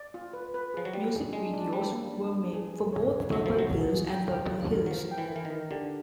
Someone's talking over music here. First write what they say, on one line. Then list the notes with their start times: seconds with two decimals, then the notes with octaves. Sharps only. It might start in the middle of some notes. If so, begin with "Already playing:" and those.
Music videos were made for both "Purple Pills" and "Purple Hills".
Already playing: D5
0.14 F4
0.33 B4
0.54 B4
0.74 F3 G#4
0.85 F#3
0.93 G3 F4
1.13 G#4
1.33 G#3 D4
1.54 D4
1.73 G3 D4
1.92 A#3
2.13 D4
2.32 D4
2.53 G#4
2.73 G#4
2.93 C#5
3.12 G#4
3.31 F#3 D#4
3.46 F3
3.52 G#4
3.59 F#3
3.72 G#4
3.92 G#4
4.12 G5
4.32 G5
4.52 F4
4.72 A#4
4.86 F#3
4.91 F3 A#4
5.11 G5
5.18 E3
5.31 E3 A#4
5.45 D#3
5.50 A#4
5.71 D3 G4